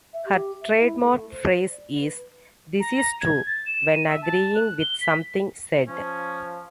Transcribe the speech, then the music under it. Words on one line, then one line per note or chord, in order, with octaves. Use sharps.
Her trademark phrase is "This is true" when agreeing with something said.
E5
G4
E5
E4
A3
C5
D5
B4
A#5
G#6
A6
E7
D#7
E5
A5
F#6
G7
B6
F3 C#4